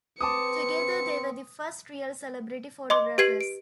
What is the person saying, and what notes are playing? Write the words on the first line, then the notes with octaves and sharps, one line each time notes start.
Together, they were the first real celebrity photographers.
C4 B4 A5 D6 D#6 C#7
D#5 C6 D6
G4 B4 G#6 C7 D#7 F#7
D7